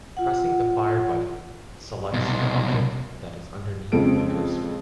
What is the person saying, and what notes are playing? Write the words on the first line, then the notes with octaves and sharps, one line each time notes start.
Pressing the fire button selects the object that is underneath the cursor.
F4 F#5
C2 B2
F2 C#3 G#3 A4 D7